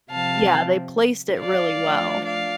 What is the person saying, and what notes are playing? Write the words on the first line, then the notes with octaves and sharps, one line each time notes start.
Yeah, they placed it really well.
C3 F3 C4 F5 A5
D5 F5
F3 A3 D4 F4
D5 F5